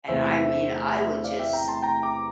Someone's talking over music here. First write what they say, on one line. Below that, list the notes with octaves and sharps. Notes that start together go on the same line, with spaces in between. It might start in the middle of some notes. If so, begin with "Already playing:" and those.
and I mean, I would just
E2 C3 E3 A3 C4 C5 E5
D5 F5
E5 G5
G5 A#5
A5 C6
G5 A#5
A#5 D6